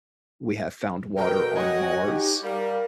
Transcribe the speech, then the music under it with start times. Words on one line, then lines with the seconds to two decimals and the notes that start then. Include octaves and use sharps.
we have found water on Mars.
1.17 B2 A4 A#4 G5
1.55 F#4 C#5 D#5 F#5 G#5
2.05 D#4 G4
2.43 G3 A#4 F5